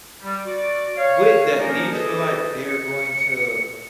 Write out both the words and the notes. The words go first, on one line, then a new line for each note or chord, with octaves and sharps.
with that, do you feel like they're going to
G3
F#4 D5
C#5 F5
F3 A#3 C#4 D#4 A#4
G#4 A4 B4 C5 D#5
C#7